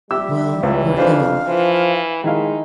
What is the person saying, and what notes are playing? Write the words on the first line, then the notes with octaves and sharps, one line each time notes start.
Well or ill....
G3 G4 E5 E6
C#2 E3
F2 D4 C5 F5
E3 F3
D#3 G#3 D#4 E4 F5